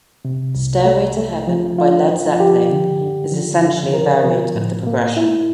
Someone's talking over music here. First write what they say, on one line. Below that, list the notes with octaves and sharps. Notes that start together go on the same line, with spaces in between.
"Stairway to Heaven" by Led Zeppelin is essentially a variant of the progression.
C3
C2
A3
A3
F3
F4
F3
G4
D3
D3
F3
D3
A#4
F3
A2
A#3
E4